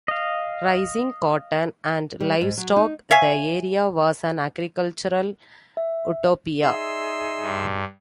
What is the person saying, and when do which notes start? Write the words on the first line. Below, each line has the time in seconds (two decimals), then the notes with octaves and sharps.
Raising cotton, and livestock, the area was an agricultural Utopia.
0.08 D#5 F5
2.20 G3
2.41 G#2
2.57 F#3
2.76 D#4
3.11 C#5 E5 F5 G#5
5.77 E5
6.62 D#4 G#4 D5 E5 C6 E6
7.41 G2